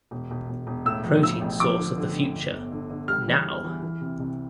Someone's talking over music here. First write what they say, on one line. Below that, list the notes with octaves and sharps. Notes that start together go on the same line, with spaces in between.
Protein Source of the Future...Now!
E1
E1
E1
E1
A2 E6
F3
A2 E6
A1
F3 D6
D3
D3
D3
G1
G1
D3
D3
G3 F6
E3
E2
E3
E3
C3
C2